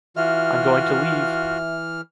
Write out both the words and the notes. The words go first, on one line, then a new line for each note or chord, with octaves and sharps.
I’m going to leave! ...
E3 F4 F#4 E5 F6